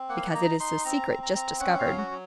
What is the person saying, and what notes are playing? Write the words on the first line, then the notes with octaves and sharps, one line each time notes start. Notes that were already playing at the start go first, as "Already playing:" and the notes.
"Because it is a secret just discovered."
Already playing: C4
A#3 F#5
F5
F#5
D#4 A#5
D#4 C6
C4 A#5
C4
A#5
C4
C#4 F#5
F5
F#3
F#4
F#3